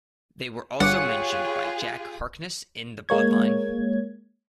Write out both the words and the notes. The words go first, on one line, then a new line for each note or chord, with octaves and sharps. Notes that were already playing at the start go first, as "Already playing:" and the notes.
They were also mentioned by Jack Harkness in The Blood Line.
G1 F4 G4 G#4 C#5 F#5 D6
G#3 A#3 C#5 G#6